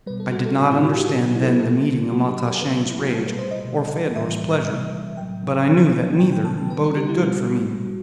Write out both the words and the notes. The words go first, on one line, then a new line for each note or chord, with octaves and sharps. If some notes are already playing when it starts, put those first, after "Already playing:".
I did not understand then the meaning of Matai Shang's rage or Phaidor's pleasure, but I knew that neither boded good for me.
B2 G3 B4
A4
F#4
A4
A2 G3 F#4
E4
F#4
G4
C3 F#3 A4
G4
E4
A4
G4
B2 G3 A4
C3 F#3 F#4
G4
A4
B2 F#3 B4
E4
F#4
G4
B2 G3 A4
B4
C5
D#5
B2 G3
A2 E3 G3 E5
C3 E3 G3
A2 F#3 G5
B2 F#3
C3 D#3 F#3 G5
G5
A5
A5
B2 G3 B4
A4
G4
E4
B2 G3 F#4
A2 G3